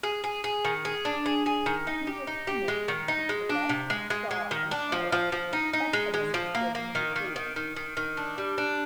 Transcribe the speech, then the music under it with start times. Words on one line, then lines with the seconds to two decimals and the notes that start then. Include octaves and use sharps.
He was commissioned to collect, saw, and polish the specimens for the museum.
0.03 G#4
0.24 G#4
0.44 G#4
0.65 D#3
0.85 G#4
1.05 D4
1.26 G#4
1.46 G#4
1.66 D#3
1.87 D#4
2.07 G4
2.27 D#4
2.47 G4
2.68 G#3
2.88 D#3
3.08 D#4
3.29 G#3
3.49 D4
3.69 C3
3.90 G#3
4.10 G#3
4.31 G#3
4.51 D#3
4.71 D4
4.92 F3
5.12 F3
5.32 F3
5.53 D#4
5.73 D#4
5.93 G#3
6.14 G#3
6.34 F3
6.55 A#3
6.75 A#3
6.95 D#3
7.16 D#3
7.36 D#3
7.56 D#3
7.76 D#3
7.97 D#3
8.17 D4
8.38 G3
8.58 D4